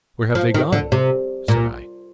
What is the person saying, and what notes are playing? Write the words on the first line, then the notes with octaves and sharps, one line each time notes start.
"Where have they gone?" said I.
F3
D#3
D3
C3
A#2